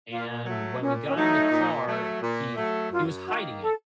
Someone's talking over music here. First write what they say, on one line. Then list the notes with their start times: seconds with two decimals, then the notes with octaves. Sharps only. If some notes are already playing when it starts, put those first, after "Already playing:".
and when we got in the car, he he was hiding it,
0.10 A#2 F4
0.45 F#3 A3
0.81 A#2 C#4
1.08 C#4
1.15 F#3 A3 D#4
1.51 A#2
1.86 F#3 A3
2.21 A#2
2.56 F#3 A3
2.91 F#2 F4
3.26 D#3 A#3 D#4 F#4
3.61 A4